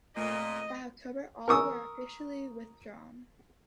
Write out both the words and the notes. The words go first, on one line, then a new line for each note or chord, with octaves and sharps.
By October all were officially withdrawn.
F2 A#2 A3 D#5 F6 G#6
A#4 C#6 D#6 E6